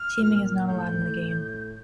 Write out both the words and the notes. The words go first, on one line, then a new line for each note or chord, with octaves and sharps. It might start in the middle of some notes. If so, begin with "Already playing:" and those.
Teaming is not allowed in the game.
Already playing: F6
A#2
A2 G6
A2
A2